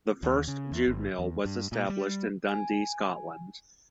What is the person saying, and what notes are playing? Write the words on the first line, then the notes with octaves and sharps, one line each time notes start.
The first jute mill was established in Dundee, Scotland.
D#2
C#3
E2
G1
E2
G2
A#2
G3
G#5